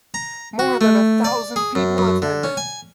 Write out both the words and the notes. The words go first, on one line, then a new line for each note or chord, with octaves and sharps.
More than a thousand people attended.
A#5
F#4
A3
D5
G#4
F#2
F#2
D3
C#4
G#5